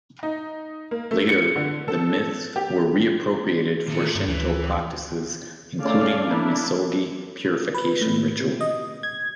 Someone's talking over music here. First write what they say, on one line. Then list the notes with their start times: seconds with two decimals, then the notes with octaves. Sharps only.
Later, the myths were re-appropriated for Shinto practices including the misogi purification ritual.
0.23 D#4
0.91 A#3
1.11 A3
1.29 C#7
1.56 D3
1.88 A4
2.56 G4
3.88 A#2 D#3 A3
4.15 G2
4.27 D2 E3
5.82 A3 C#4 A4 D5 F5
6.30 A#3 D4 E4
7.75 B4
8.01 A2
8.40 C3
8.61 D#5
9.03 G#6